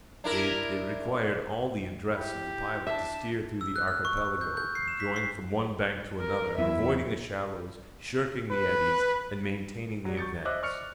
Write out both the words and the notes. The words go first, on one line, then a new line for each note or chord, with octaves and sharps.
It required all the address of the pilot to steer through the archipelago, going from one bank to another, avoiding the shallows, shirking the eddies, and maintaining the advance.
D4 E4 A#4
E4 G4
D4 E5 A5
E6
F#6
F6
C#6
C#6
G6
G6
C7
E7
B6
C7
A#4
E2 F#3 B3 E4 E5
B4
F#3 G3
C#6 G6 A6 C#7
C5 D#5 E5 D6 E6 F#6
D5 C#6 F6 C#7